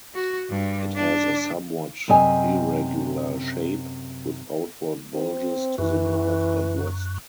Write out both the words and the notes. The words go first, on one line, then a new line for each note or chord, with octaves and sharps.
It has a somewhat irregular shape, with outward bulges to the north and west.
F#4
G2
D4
F#2 C3 D#5 G#5
C4
F#2 E3